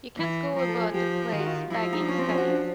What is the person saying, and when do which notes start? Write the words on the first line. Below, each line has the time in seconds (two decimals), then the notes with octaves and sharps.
You can't go about the place bagging studies.
0.17 E3
0.56 F3 A#4
0.68 A4
0.81 G#4
0.94 F3 G4
1.32 D#3 F4
1.39 F#4
1.46 F4
1.70 F3 E4
1.93 D#4
2.01 D4
2.08 C#4
2.18 C4
2.29 C#4
2.38 F#4
2.48 D4